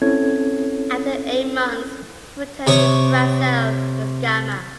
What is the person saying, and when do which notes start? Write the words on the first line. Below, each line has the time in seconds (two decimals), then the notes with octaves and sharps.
After eight months he returned to Brazil with Gama.
0.02 C4 C#4 E4 A4 C#5 G#6
2.67 C3 C#5 C#6 D#6